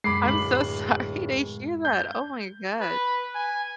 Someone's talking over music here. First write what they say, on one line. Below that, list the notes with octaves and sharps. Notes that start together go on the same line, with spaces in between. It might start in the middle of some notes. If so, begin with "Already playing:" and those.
I'm so sorry to hear that, oh my god.
F#2 G#3 B5 D6 C7
D1 F#7
G6
B4
G#5